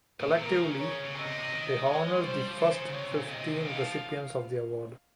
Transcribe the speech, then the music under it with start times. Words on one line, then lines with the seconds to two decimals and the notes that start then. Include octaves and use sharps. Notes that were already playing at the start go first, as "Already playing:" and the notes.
Collectively, they honor the first fifteen recipients of the award.
0.20 A#2
0.31 C3
0.43 C#3 A#4
0.79 C#5
1.04 C#3
1.15 C3 D#5
1.26 C3
1.39 C3
1.50 D#3
1.86 G#3 C#5
2.14 G#3
2.22 G3 C5
2.34 G3
2.46 F3
2.57 C#3 C5
2.89 C#3
2.93 C3 C#5
3.11 A#2
3.21 C#3
3.29 C3 D#5
3.54 C#3
3.65 D#3 F5
3.77 F3